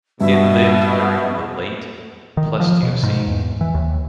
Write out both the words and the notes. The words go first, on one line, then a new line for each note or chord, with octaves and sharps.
It lived during the Late Pleistocene.
G2 B2 E5
D#3
F3
B2
G#2
E2
E3
D#2